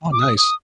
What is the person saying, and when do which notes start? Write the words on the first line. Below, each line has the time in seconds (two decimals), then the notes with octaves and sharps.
Oh, nice.
0.12 D6
0.19 D#6
0.37 D#6